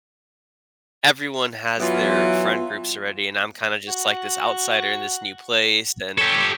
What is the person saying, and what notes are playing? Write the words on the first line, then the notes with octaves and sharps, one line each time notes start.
everyone has their friend groups already, and I'm kinda just like this outsider in this new place." Then
E3 F#3 B3 F4
F#4
G4 A4 C#5